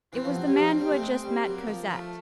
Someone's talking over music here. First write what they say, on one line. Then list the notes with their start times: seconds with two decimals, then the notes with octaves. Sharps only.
It was the man who had just met Cosette.
0.13 E3 C4
0.24 F3
0.35 F#3
0.46 G3
0.57 F3
0.68 F#3
0.80 G3
0.91 G#3
0.97 A3
1.02 G#3
1.23 G3
1.45 F#3 A#3
1.67 F3
1.89 F3 A3